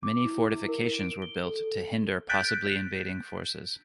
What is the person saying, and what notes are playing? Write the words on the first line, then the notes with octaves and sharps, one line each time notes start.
Many fortifications were built to hinder possibly invading forces.
D6
E4
E4
A#4
D7
G7
A4
F#6 G6 A6 B6 D7